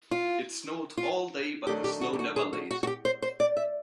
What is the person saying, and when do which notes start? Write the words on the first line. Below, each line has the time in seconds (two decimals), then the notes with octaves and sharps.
It snowed all day but the snow never laid.
0.11 F4
0.97 F4
1.67 D#3 F#3 A3 D4 G4
1.84 G4
2.01 F#4
2.13 G4
2.19 F#4
2.36 G#4
2.53 F#4
2.71 F#4
2.83 F#4
2.87 G4
3.05 C5
3.22 C5
3.40 D5
3.57 E5